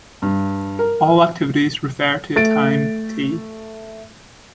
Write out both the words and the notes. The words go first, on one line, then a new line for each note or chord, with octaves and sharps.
All activities refer to a time "t".
G2
A#4
A3 A6 D7